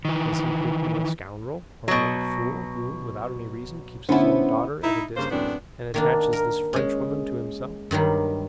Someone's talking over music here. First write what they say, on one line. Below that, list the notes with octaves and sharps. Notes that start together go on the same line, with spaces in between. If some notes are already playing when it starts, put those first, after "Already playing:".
Does he think me a scoundrel, or an old fool who, without any reason, keeps his own daughter at a distance and attaches this Frenchwoman to himself?
D#3 E3
B2 F#3
D3 B3 C#4 E4 C5
D#4 E4
G2 C#3 A#3 C5
F#2 A2 B3 C4 D4
D#3 A#3 D4
A#4
G#3 C#4
G2 D#3 F#3 G3